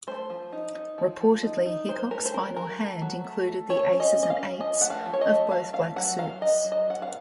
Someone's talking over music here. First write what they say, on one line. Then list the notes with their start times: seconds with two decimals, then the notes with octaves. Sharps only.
Reportedly, Hickok's final hand included the aces and eights of both black suits.
0.07 A3 C5
0.30 F3
0.52 D#4
0.75 D#4
0.98 F3
1.21 F3
1.43 D#4
1.66 D#4
1.88 F#3 C5
2.11 A3 A#4
2.25 C5
2.34 F#3 A#4
2.56 F#3 A#4
2.79 A3
3.02 F#3
3.24 A3
3.47 A3
3.70 F3 C#5
3.92 C#4
4.00 D#5
4.15 C#4
4.23 D#5
4.30 F5
4.37 C#4
4.60 F3 D#5
4.81 A3 F#5
4.90 F5
5.06 F3
5.13 C#5
5.21 D#5
5.28 A3
5.51 F#3 F5
5.73 A3 F5
5.96 F#3 F#5
6.19 F#3 F5
6.41 F#3 D#5
6.64 F#3
6.72 D#5
6.87 F#3 F#5
7.02 F5